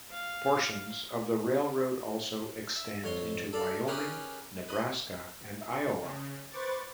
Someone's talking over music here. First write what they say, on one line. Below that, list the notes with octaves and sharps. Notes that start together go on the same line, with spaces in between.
Portions of the railroad also extend into Wyoming, Nebraska and Iowa.
F5
E5
F2 C#5 C6
A4 D5 F5
C#4 G4 G#4 A#4 B4 C#5
B4 D#5
C#3
B4 C5 C#6 D6 A6